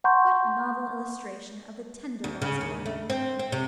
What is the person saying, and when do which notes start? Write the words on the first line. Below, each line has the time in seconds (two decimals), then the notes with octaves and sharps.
What a novel illustration of the tender laws of England!
0.04 F#5 A#5 C6 C#6 G6
2.24 D2
2.42 C#3
2.61 D#2
2.86 A3
3.10 C4
3.39 C4
3.52 C3